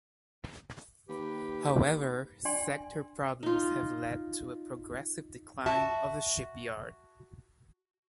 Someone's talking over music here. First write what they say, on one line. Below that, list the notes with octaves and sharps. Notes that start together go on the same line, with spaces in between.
However, sector problems have led to a progressive decline of the shipyard.
D#2 G4 B4
D4 D5 G5 G#5 C6
D#4 F4
F#4 E5 A5